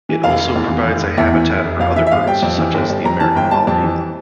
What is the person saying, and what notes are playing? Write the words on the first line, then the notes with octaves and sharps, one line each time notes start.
It also provides a habitat for other birds, such as the American bald eagle.
E3
F1 F5
F1
E2
E3
F1
F1
E2 E5
E3
F1
F1
F2 F5
E3 E5
E5
G1 F5
G3 G5
F2
E3
G1
G3
F2 A#5
E3 A5
G1 G5
G3 A5
F2 A5
E3